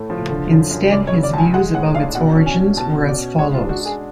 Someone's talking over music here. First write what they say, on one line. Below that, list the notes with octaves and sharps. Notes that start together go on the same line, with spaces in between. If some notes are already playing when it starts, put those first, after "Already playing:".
Instead his views about its origins were as follows.
Already playing: A2 A3
F3
D3
F#2
F#2
C#2 D5
C#5
C#3
D5
C#2 G#5 A5
G#3 F#5
A2 F#5
D4 F5
B2 F#5
C#4
G#5
C#4
B2 A5
B2
D5
C#4
G#3 C#5
F4
D4
F#4
F#4
G#4